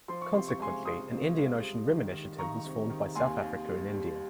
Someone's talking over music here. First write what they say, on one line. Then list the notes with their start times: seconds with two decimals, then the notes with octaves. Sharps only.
Consequently, an Indian Ocean Rim Initiative was formed by South Africa and India.
0.08 F3 C6
0.22 C#6
0.33 C3 C6
0.48 C#6
0.59 C#2 G#5 C6
0.85 C#2 C6 D#6
1.11 C3
1.36 C#2
1.62 G3
1.88 D#3
2.13 D#3
2.39 D#3 A#5 C#6
2.64 C3
2.90 D#3
3.15 D#2 G#5 C6
3.41 D#2
3.68 G3
3.93 G3